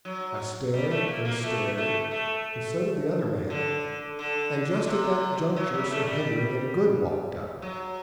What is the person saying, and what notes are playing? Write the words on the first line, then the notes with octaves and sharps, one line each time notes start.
I stared and stared, and so did the other man, and just at that juncture Sir Henry and Good walked up.
F#3
G3
A3
A#3
A#3
A3
A3
A3
D3
D3
C3
F#3
G3
A3
G3
F#3